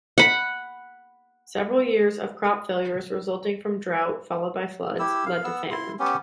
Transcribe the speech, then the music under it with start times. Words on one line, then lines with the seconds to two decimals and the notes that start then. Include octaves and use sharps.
Several years of crop failures, resulting from drought followed by floods, led to famine.
0.18 F#5 B5
4.99 E4 G4 E6
5.26 F5
5.44 B3 E6
5.71 E4 C6
5.99 B3 C#4 G4